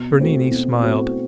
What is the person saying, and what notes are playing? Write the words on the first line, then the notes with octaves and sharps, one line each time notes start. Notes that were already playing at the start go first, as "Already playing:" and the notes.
Bernini smiled.
Already playing: B2
A3 C4 F#4
B2
A3 C4 F#4